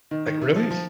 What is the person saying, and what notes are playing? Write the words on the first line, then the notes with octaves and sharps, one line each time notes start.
like, really?
D#3 D#4
D#3
C3
F3
F3